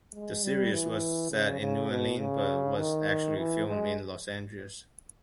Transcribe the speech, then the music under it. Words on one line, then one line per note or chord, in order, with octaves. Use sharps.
The series was set in New Orleans, but was actually filmed in Los Angeles.
G#3
G3
E3
C#3
C#3
B2
C#3
D#3
E3
G#3